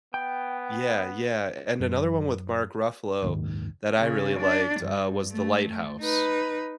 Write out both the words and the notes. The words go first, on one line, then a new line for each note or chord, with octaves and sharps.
Yeah. Yeah, and another one with Mark Ruffalo that I really liked, uh, was The Lighthouse.
B3 G5
F#2
F#1 D#2 G#2 D#3
C#3
D4
G2
A3
D#4 B4